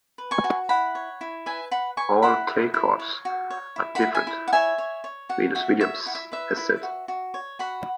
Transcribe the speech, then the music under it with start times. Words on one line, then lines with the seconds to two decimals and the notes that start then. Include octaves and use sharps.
"All clay courts are different," Venus Williams has said.
0.18 B4
0.31 G#5 C#6
0.44 F#4
0.69 E4 F#5 B5
0.95 C#5
1.21 E4
1.46 B4 E5 G#5
1.71 B4 F#5 B5
1.97 B4 G#5 C#6
2.22 E4 F#5 B5
2.48 E4
2.74 E4
2.99 C#5
3.25 F#4
3.50 C#5
3.76 E4
3.95 F#5 B5
4.02 E4
4.15 E5 G#5
4.27 E4
4.48 F#5
4.53 C#5 E5 G#5
4.78 C#5
5.04 C#5
5.29 F#4 F#5
5.55 F#4 E5
5.80 C#5 E5
6.06 E4 F#5
6.15 E5
6.32 B4 E5
6.57 E4
6.83 F#4
7.08 F#4
7.34 C#5
7.59 F#4 F#5 B5